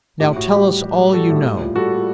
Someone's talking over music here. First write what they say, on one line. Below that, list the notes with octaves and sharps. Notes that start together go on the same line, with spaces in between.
Now tell us all you know.
A2 G4
A2 F#4
G3 G4
G3
G3
G3
G3 F#4 A4
A2
G3
A#2
G3 F#4 A4
A#2